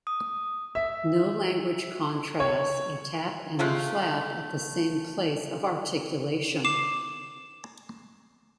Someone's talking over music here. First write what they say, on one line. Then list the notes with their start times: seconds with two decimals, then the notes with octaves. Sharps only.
No language contrasts a tap and a flap at the same place of articulation.
0.07 D#6
0.75 E5
2.40 C#5
3.59 G#3 A3 F4 G4
6.65 D6 C7 E7